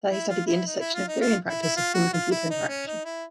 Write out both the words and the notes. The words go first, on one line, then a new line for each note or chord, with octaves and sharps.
There, he studied the intersection of theory and practice of human-computer interaction.
E4
F4
E4
D#4
E4
F4
D#4
F4
E4
E4
F4
F#4
F4
E4
D#4
C#4
D#4
E4